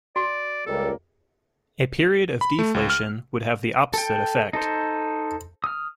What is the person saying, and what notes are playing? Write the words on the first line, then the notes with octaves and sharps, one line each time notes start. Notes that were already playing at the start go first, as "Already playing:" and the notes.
A period of deflation would have the opposite effect.
F#4 D5
C#2 G3 A#3 A4
B5
A3
C#2
F6
A4 G5
D#4 A4 C5
D#6 F6